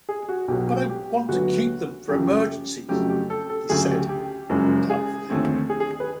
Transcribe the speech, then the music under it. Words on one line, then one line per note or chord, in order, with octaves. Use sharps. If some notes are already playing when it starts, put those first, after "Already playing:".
"But I want to keep them for emergencies" he said, doubtfully.
G#4
F#4
B1 B2 F#3 G4
F#4
G4
D2 D3 F#3 B3 F#4
F#2 C#3 F3 G4
F2 C#3 F#3 A3 G4
G4
A4
A4
D2 C#3 F#3 A3 G#4
G4
G4
F#1 F#2 C#3 F3 G#3
G#4
D#2 D3 F3 A3 C4
G#4
G#4
B4